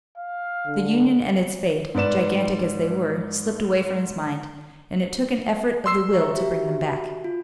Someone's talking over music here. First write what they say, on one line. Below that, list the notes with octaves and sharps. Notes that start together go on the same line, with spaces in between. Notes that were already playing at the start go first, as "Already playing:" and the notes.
The Union and its fate, gigantic as they were, slipped away from his mind, and it took an effort of the will to bring them back.
F5
D3
G#2 B4 D5 E7
C6 E6 C7
E5 A#5 C#6
F#4 G4 E5
F4